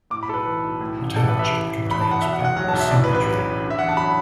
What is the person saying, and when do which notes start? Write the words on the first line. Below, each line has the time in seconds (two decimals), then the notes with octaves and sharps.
The township contains Poplar Cemetery.
0.10 A2 D6
0.23 B5
0.28 B1 A4
0.34 B4
0.46 E3
0.64 B1
0.81 A2
0.99 A1
1.16 E3 A4
1.28 B4
1.34 A1
1.39 E5
1.50 E3
1.69 E3
1.86 E2 B5
2.01 E2 A5
2.11 F#5
2.21 B2 E5
2.33 F#5
2.38 B1
2.44 F#5
2.56 F#3 F#5
2.68 A5
2.73 B1
2.80 E5
2.91 A2 D5
3.04 B4
3.09 A1
3.15 B4
3.26 F#3
3.44 A1
3.62 D3
3.70 E5
3.79 E2 F#5
3.89 A5
3.96 F#3 B5